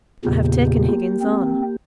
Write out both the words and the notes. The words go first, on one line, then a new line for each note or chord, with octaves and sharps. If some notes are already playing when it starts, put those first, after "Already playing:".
I have taken Higgins on.'
E2 A#2 C#3 A#3 G4
C4